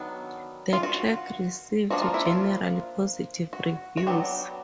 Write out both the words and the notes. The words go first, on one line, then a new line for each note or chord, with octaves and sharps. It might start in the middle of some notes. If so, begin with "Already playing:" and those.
The track received generally positive reviews.
Already playing: D#3 F#3 B3 D4
F4
F#4
F3 A#3 D4 F#4
F4
E4
F4
F#4
F#4
F#3 B3 D4 G4